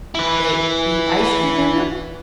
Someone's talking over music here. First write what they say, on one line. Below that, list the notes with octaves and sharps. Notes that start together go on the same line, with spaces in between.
"They eat ice-cream in them?"
E4 B4